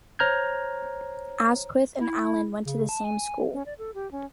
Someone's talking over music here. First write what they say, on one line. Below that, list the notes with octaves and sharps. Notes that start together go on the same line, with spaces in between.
Asquith and Allen went to the same school.
C5 C#5 A#5 F6 G6 G#6
E4
C#3
A5
G#5
C#4
D5
A4
G4
C#4